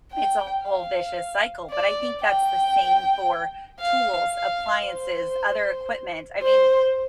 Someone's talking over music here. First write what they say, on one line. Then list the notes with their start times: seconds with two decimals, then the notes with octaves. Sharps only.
it's a whole vicious cycle, but I think that's the same for tools, appliances, other equipment, I mean,
0.13 G5
0.65 F5
1.70 D5
2.23 G5
3.80 F5
4.33 F5
4.85 C5
6.43 C5